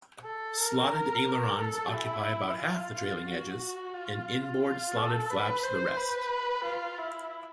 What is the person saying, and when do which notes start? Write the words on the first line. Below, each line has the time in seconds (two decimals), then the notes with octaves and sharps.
Slotted ailerons occupy about half the trailing edges and inboard slotted flaps the rest.
0.24 A4
0.57 A#4
1.59 A4
1.92 E4
2.60 F4
2.94 F4
3.28 F#4
3.94 F4
4.62 F4
4.97 A4
5.30 B4
5.63 C5
5.97 B4
6.64 F4
6.98 E4